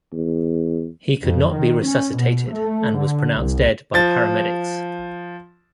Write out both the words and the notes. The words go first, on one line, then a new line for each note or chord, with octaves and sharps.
He could not be resuscitated, and was pronounced dead by paramedics.
E2
F2
D#3
C#4
B2
A3
D3
C2
F3 A6